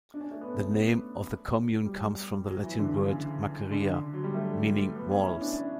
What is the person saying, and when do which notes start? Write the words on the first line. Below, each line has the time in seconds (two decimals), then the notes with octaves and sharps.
The name of the commune comes from the Latin word: "maceria", meaning walls.
0.14 D4
0.21 C#4
0.31 A3
0.41 B3
1.85 G3
2.47 F#3
2.63 E3
2.79 D3
2.94 C#3
3.09 C#3
3.71 D3
4.13 F#3
4.24 G3
4.34 A3
4.96 B3
5.11 C#4
5.26 E4
5.42 D4
5.57 C#4